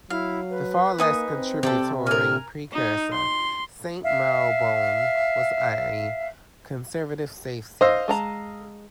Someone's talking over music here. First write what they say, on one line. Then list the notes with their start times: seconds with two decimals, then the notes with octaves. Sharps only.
The far less contributory precursor, Saint Marylebone, was a Conservative safe seat.
0.10 F#3 E4 F5
0.50 B4
0.98 A#3 D#4 G#5 D#6
1.33 C4
1.63 C3 A4 D5 G5
2.07 D3 A#4 G#5 F6
2.74 D#4
3.13 C6
4.02 E5 F5
7.81 C5 D#5 F5 E6
8.08 G#3 A5 A#5